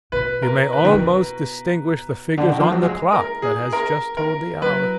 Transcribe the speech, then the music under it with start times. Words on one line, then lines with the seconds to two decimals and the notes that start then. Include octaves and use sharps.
You may almost distinguish the figures on the clock that has just told the hour.
0.12 B2 B4
0.42 A#4
0.73 B4
0.85 D#3
0.94 D3
1.02 B2
2.37 D3
2.49 D#3
2.60 F3
2.71 F#3
2.83 G#3
3.13 A#4
3.42 G#4
3.73 A#4
4.17 A#4
4.62 F#3 B4